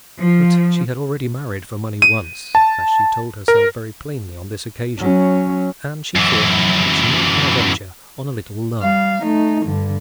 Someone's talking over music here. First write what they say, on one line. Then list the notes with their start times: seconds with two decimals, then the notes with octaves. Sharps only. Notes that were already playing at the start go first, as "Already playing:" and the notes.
But she had already married for money once, as she told herself very plainly on this occasion, and she thought that she might now venture on a little love.
0.20 F3
2.02 D#7
2.55 A5
3.48 A#4
4.99 F#3 C#4
6.16 F#2 E3
8.82 G3 F5
9.23 A3 D#4
9.65 G2 D3